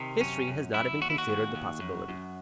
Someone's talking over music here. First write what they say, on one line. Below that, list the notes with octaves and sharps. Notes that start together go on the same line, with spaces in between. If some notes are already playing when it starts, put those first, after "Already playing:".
History has not even considered the possibility.
Already playing: C3 D#3
F#2 C#4
F#2
F#2 E4
D#2 F#4
E4
F#4
D#2
D#2
F#2
F#2